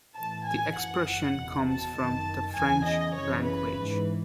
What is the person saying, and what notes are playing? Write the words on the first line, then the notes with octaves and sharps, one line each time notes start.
The expression comes from the French language.
A2 E3 A5
G#5
F#2 E3 F#5
E2 B2
A5
F#2 D#3
E2 C#3 E3 G#5
D#5
F#2 C#3 E3 C#5
B4
G#2 E3